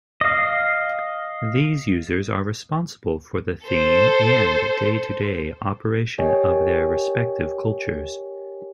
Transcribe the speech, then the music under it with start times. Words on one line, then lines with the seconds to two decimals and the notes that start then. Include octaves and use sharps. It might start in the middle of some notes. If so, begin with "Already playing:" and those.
These users are responsible for the theme and day-to-day operation of their respective cultures.
0.21 D#5 F5
3.66 A4 C5
6.18 G4 A#4 C#5 D#5 G5 G#5